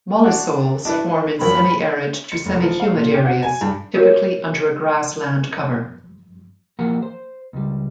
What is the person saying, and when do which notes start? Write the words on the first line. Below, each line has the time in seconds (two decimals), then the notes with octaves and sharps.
Mollisols form in semi-arid to semi-humid areas, typically under a grassland cover.
0.24 D4 F#4
0.85 D4 E4 B4
1.41 F#2 F3 A#4 B5
2.32 C#7
2.46 F1
2.62 F3
2.80 F5
2.94 A#2
3.12 G4
3.26 F#4
3.43 G#5
3.61 G2
3.95 F#4 A#4 C#5
6.79 F3 A#3 G4 A#4 F#5 A#5
7.02 C5
7.53 C#2 G3